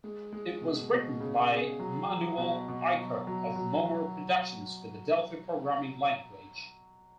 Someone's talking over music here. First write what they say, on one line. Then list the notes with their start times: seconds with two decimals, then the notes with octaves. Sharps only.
It was written by Emmanuel Icart of Momor Productions with the Delphi programming language.
0.04 G#3
0.32 G#3
0.62 B2
0.92 B2
1.20 C#3
1.51 G#4
1.79 F#3
2.09 F#3
2.38 B2
2.69 B2
2.97 F#3
3.27 F#3
3.56 F#3
3.85 F#3